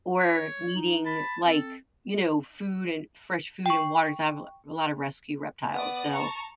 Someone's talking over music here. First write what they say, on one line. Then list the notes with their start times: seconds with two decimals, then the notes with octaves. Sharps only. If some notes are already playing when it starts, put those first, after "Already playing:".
or needing, like, you know, food and fresh food and water 'cause I have a lot of rescue reptiles. So,
0.20 C#5
0.75 D#4
1.06 A5 B5
1.44 C4 A4
3.66 G5 C#6
5.75 B3 D5 D#6
6.12 A5 A#5 C#6